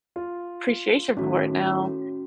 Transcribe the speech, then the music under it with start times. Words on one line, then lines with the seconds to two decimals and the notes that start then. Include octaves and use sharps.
appreciation for it now.
0.16 F4
1.17 A2 D#3 C#4 F#4